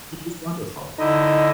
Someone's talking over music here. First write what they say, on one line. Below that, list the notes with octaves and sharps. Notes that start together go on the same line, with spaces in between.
which was wonderful.
D3 D#4 E4 D#5